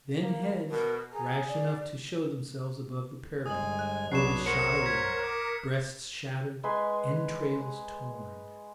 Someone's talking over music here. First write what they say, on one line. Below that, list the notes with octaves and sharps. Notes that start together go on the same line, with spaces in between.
Then heads, rash enough to show themselves above the parapet, will be shot away, breasts shattered, entrails torn.
A#3
B2 A#4
G#4 A#5
D5
G1 G#3 G#5 D#6 F#7
F#6
B1 E2 F#3 D4 B4 C#5 C7 E7
A#4 C5 C#5 F#5 C#7
G#6 B6
D6
G#3 B4 G#5 C6